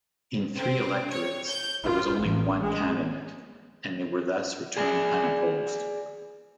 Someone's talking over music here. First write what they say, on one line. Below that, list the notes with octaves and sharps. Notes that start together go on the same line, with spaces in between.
In three electorates there was only one candidate, and they were thus returned unopposed.
C4
C#5
G6
F4
A1
G#3
G#4 D5 G#5